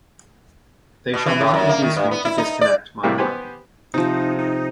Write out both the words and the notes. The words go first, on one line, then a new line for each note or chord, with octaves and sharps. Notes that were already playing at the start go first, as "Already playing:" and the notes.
They shall not induce me to disconnect my army.
B2
E3
A2
F#2
A#3
D#3
G2
B3
E4
D#4
D5
A2 C3 G3 A#3 E4
B3 G4 C5 G#5 B5
C3 F3 D#4
D#4